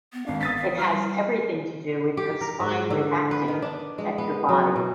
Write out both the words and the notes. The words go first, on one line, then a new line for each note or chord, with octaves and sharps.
It has everything to do with your spine reacting to protect your body.
B3
G#1 D4 F5
B3 D#6 A6 B6
F5
G3 F6
G4
A#4
G#2
D3
B4
D#3
D4
G#3
B3
F#3
B2